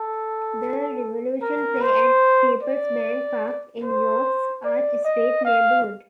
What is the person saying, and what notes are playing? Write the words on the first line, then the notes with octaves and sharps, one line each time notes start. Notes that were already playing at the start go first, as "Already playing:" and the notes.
The Revolution play at PeoplesBank Park in York's Arch Street neighborhood.
Already playing: A4
A#4
C5
D5
C5
D5
D#5
F5